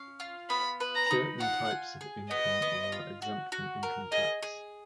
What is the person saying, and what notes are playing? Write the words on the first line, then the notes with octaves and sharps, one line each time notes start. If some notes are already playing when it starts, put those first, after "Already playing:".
Certain types of income are exempt from income tax.
Already playing: C#4 F5
F4
B3 B5
B4
A#5
D#4
F4 F#5
G#5
G#4
B3 D#5
B3
F4
F#4
F#4
A#4
G#4 D#5
G#4